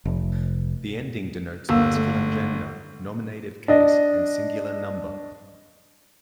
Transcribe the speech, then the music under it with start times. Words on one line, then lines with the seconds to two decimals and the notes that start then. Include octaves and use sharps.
The ending denotes masculine gender, nominative case, and singular number.
0.05 F1
1.69 G1 D#2 F5 E6
1.96 A3
3.68 D4 D#5